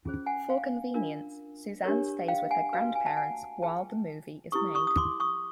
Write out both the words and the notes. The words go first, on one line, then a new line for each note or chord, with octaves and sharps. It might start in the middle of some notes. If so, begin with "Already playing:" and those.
For convenience, Suzanne stays with her grandparents while the movie is made.
C#4 F4 G#4 C5
F#5 G#5
F5 G5
D4 F4 A#4
D4 G4 A#4 C#5
F5 G5
F#5 G#5
F#4 B4 F5 G5
G#5
A5
F#5 G#5
F4 G#4 B4 G5 A5
E4 G4 B4 C#6 D#6
C#6 D#6
D#6
C6 D6
C#6 D#6